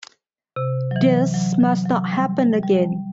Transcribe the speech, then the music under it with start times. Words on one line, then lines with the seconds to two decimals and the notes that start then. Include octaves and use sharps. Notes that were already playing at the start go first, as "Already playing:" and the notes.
This must not happen again.
0.56 C3
0.91 F#3
0.96 E3
1.34 F#3
1.61 F#3
1.85 F#3
2.12 G3
2.63 G3